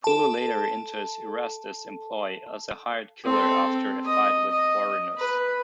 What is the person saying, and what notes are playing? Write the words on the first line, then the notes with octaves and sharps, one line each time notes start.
Pullo later enters Erastes' employ as a hired killer after a fight with Vorenus.
A4 A5
C4 A4
D#5
D#5
B4